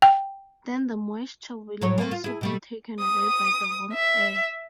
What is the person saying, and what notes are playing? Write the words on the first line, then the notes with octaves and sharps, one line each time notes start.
Then the moisture will also be taken away by the warm air.
G5
A2 F#3 C#5
A3 A#3
F4
E4 G#4
B2 G3 A3
D#6
E5